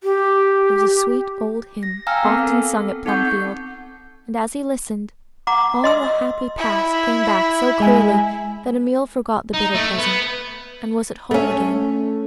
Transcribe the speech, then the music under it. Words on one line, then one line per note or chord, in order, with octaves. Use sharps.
It was a sweet old hymn often sung at Plumfield; and as he listened, all the happy past came back so clearly that Emil forgot the bitter present, and was at home again.
G4
A#6
F5 G5 G#5 A#5 E6 F6
B3 C4 A4 A#4
A4
C4 D#4 A4 F#5 C#6 G6
F#5 A#5 D6
D#5 C6 E6
E4
G#3 G#5
D#4
A3
B3
A3 C#4